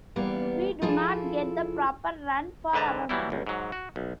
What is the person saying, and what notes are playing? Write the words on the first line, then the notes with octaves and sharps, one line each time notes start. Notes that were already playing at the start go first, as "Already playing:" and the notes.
We do not get the proper run for our money.
E2 G3 A#3 B3 F5
F3 E4 F4 G#4 A4
G#2 D3 B4 A5 A#5
E3 F#3 G3 E4
G1 C#2
G#2 F#3
F#4
B1